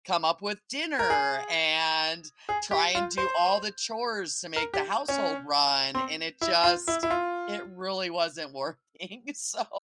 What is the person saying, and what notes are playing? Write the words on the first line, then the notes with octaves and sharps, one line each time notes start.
come up with dinner and try and do all the chores to make the household run, and it just it really wasn't working, so,
A#4
G#4
G#4
G4
F4
C5
A#4
G4
C#4
C4
E4
F4
E4
E4
F4